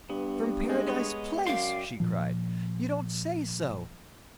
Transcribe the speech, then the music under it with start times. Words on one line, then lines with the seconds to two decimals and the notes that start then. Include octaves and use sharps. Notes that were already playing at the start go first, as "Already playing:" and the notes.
'From Paradise Place!' she cried, 'you don't say so!
0.10 G2 B3
0.69 G#3
0.87 B3 C#5 D#5
1.47 F#2 D5 F5 G5 C6
2.00 A#2 F3